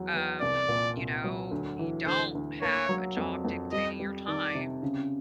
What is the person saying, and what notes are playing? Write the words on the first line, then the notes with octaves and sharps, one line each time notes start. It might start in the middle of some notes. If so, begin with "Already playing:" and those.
um, you know, you don't have a job dictating your time,
Already playing: E2 F#3
E2
C2 D5
A#2
C2
F#3
D2
E3
D2 C5
D2
A#3 C#5
F#3
F2
F2
G3 D#5
G3
D#3 D5
C3
C#3